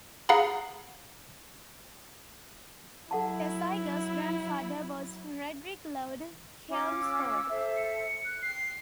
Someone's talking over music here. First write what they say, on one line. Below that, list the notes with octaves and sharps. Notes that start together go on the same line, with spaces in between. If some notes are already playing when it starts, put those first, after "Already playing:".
Thesiger's grandfather was Frederic Lord Chelmsford.
G#4 F5 F#5 A#5 B5
F#3 E4 A4 F#5 A5
C#4 F4 D6
E6
A4 C5 E5
C#7
F#6
G5 C7